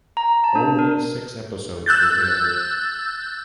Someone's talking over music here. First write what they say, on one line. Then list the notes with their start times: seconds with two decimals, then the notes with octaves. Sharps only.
Only six episodes were aired.
0.17 A#5
0.44 A5
0.55 D4
0.79 A#4
1.86 E6 F#6 G6 A6